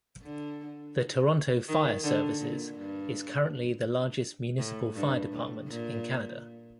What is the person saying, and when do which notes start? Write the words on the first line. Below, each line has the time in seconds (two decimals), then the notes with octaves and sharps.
The Toronto Fire Services is currently the largest municipal fire department in Canada.
0.22 D3
1.68 D#3
2.04 D3
2.40 A#2
2.76 G2
4.58 A2
4.95 G2
5.32 A2
5.68 A#2